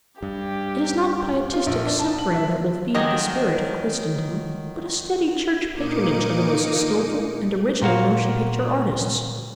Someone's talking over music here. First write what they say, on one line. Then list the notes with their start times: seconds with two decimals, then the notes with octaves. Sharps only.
It is not pietistic simpering that will feed the spirit of Christendom, but a steady church-patronage of the most skilful and original motion picture artists.
0.23 G2 G4
1.53 F4
1.67 A#1
1.86 D4
1.99 A5
2.19 F#7
2.34 E5
2.95 D#3 F3 F#3 G4 G#4 D#5
5.72 A#2 A#3 D#4 D6 C#7 D#7
7.82 A#2 A#3 F#4 F5